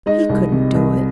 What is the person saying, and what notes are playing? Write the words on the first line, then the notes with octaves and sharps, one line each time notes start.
He couldn't do it.
G#3 D#4 D#5
C2
C3
C2